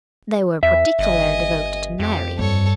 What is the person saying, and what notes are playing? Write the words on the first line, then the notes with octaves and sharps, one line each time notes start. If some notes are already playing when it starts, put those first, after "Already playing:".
They were particularly devoted to Mary.
E2 E5
G1 D#5 G#5
F2 G4
G2 A4 C#5